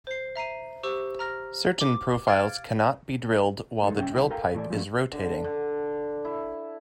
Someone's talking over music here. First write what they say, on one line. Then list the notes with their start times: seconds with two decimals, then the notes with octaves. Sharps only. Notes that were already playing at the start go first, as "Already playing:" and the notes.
Certain profiles cannot be drilled while the drill pipe is rotating.
0.07 C5 C7
0.36 E5 A#5 C7 D#7
0.83 G4 C5 C#6 E6
1.19 A#5 F6 A#6
1.81 D6
2.27 F5 F6 G#6 A6 D7
3.83 G#3 D#4 G#4 A4
3.97 C2 C#4 E5 F#5 G5
4.13 C2 D3 E4 G5
4.30 A4 A#4 F5 G5 G#5 A#5
4.54 A2 E3 A4 D5 G#5
4.70 F3 F#3 A3 A#3 C#4 D4
5.13 D3
5.44 D3
6.25 E4